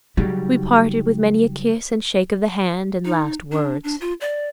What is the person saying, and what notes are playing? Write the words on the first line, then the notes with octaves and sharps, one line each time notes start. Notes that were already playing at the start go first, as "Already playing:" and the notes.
We parted with many a kiss and shake of the hand and last words.
C#3 F#3 G3 D#4
D#4
D4
D4
F4
D5